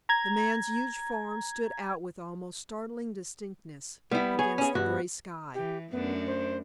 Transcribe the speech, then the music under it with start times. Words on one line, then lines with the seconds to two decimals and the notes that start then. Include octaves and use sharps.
The man's huge form stood out with almost startling distinctness against the grey sky.
0.09 A#5 G#6
4.11 G3 B3 E4
4.39 G#4 C#5
4.58 C#4 G#4
4.75 G2 F#4
5.54 E3 G4
5.91 F#2 A3 B3 D4
6.27 C5